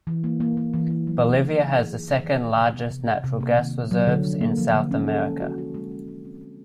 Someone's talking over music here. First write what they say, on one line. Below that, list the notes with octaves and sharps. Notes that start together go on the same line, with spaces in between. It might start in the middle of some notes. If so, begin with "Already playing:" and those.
Bolivia has the second largest natural gas reserves in South America.
E3
A#3
A#3
A#3
E3
A#3
F#3
G#4
D#4
F#3
G#4
G#4
C3
D#3
D#3
C3
B3
C3
C3
C3
A#3
D#3
D#3
F#3
D3
F3
A#3
F3
D3
C#4
A4
G#3
F#4
F#4
G#3
C#4
G#3
C4
G#3